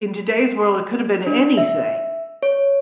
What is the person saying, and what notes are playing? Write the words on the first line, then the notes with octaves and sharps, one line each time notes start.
in today's world, it could have been anything,
D4
E5
C#5